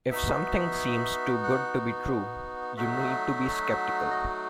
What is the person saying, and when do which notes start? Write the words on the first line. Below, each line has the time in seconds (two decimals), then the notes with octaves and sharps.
If something seems too good to be true, you need to be sceptical.
0.10 B3 D#4 F#4 E5
1.44 F#5
2.77 F#3 A3 D#4 F#4 E5
4.11 D#5